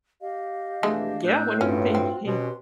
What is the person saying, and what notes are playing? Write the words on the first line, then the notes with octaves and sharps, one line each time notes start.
Yeah, what do you thinking?
G4 D#5 F5
F2 C3 E3 G#3 A3 D4
A2 E6 F#6 G6
G2 C#4 F4 F#4 A4
C4
B2 C#4 G4 B4 C6